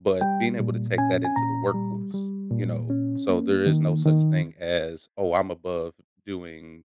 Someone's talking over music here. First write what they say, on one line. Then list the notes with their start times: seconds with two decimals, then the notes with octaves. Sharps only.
but being able to take that into the workforce, you know? So, there is no such thing as, "Oh, I'm above doing
0.21 G3 G5
0.59 A#2
0.98 C#4 G#5
1.25 G#5
1.36 A#2 A#5
1.74 G3
2.14 G3
2.51 A#2
2.90 C#4
3.29 A#3
3.66 D#3
4.05 D#3